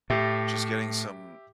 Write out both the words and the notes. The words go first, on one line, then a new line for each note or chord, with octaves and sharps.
just getting some
A2 G4 E5